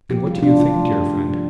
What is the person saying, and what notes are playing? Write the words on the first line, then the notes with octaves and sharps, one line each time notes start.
And what do you think, dear friend?
F3 G4
G3 F4
F4
C3 D4
C4 F4
A3
D3 G4
D3
F3